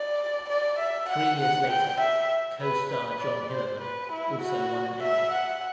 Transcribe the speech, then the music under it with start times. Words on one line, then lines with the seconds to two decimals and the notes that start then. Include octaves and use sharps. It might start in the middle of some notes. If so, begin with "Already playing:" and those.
Three years later, co-star John Hillerman also won an Emmy.
Already playing: D5
0.49 D5
0.79 E5
1.09 F#5
1.40 F#5
1.69 G5
2.00 E5
2.61 B4
2.90 B4
3.20 D5
3.51 C5
3.81 B4
4.12 E4
4.42 F#4
5.02 E5
5.32 F#5